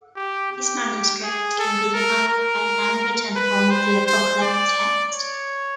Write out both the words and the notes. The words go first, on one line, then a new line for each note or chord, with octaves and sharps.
These manuscripts can be divided by the language and form of the Apocalypse text.
G4
G4
G#4
A4
A#4
A#4
B4
C5
C5
D5
C#5